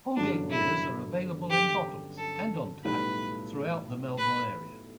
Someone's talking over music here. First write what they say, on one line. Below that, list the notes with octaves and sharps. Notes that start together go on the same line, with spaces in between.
Holgate beers are available in bottles and on tap throughout the Melbourne area.
G1 F#2 D3 F#3 D4
E4
G4
A4
B1 A2 G3 B4
B4